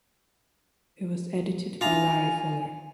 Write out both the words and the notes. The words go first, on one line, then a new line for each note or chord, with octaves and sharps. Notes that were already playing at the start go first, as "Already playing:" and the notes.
It was edited by Larry Fuller.
D4 D#4 F4 E5 G#5 A#5